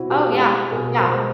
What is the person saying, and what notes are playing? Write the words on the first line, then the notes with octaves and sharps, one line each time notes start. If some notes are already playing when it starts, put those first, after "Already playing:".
Oh yeah, yeah.
Already playing: B2 C4 E4 F#4
F4 G4
G#3 G4 A4
B2 G#4 A#4
A#4 C5
G#3